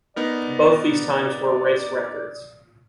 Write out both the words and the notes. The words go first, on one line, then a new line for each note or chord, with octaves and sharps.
Both these times were race records.
B3 D#4 A#4 D5